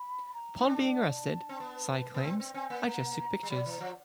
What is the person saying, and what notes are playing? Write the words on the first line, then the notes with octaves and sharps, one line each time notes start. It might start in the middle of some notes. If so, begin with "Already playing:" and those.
Upon being arrested, Sy claims, I just took pictures.
Already playing: B5
A#5
D#4
D4 A5
C4
B3
B3
C4
C4
C4 G#5
A#3
A#5
G3
F#3 B5
E3 A#5
F3